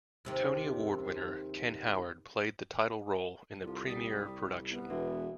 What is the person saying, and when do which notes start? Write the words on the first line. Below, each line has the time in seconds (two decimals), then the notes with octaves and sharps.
Tony Award winner Ken Howard played the title role in the premiere production.
0.25 D#2 C3 D#3
3.63 C2 C4 F4 A4
3.88 G3 D#6 A6 B6
4.71 B3 E4 B4
4.90 E1 F#4 G#4 E5